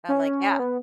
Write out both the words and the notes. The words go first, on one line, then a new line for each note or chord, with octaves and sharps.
I'm like, "Yeah."
C#4
B3